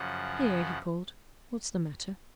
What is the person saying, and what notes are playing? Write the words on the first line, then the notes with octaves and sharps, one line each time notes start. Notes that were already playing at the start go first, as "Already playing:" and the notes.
"Here," he called, "what's the matter?"
Already playing: F#2 C#3 F3 F#5